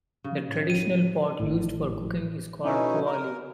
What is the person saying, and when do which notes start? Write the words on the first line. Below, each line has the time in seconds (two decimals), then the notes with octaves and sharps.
The traditional pot used for cooking is called "kuali".
0.24 C#3
0.44 A2
0.70 D#7
1.40 G#1 A2
2.64 B2 A3 C#4 D#4 E4
3.06 A#4